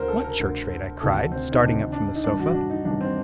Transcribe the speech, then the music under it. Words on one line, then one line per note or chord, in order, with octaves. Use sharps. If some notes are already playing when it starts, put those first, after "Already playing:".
"What church-rate?" I cried, starting up from the sofa.
Already playing: D2 D3 A#4 C5
A4
A#4
D2 D3
D2 C3 D#3 A4
C4
D#4
D2 C3 D#3 D4
D4
D#4
A1 G2 D#3 D4
F#4
D4
D#4
A1 G2 D#3 D4
C4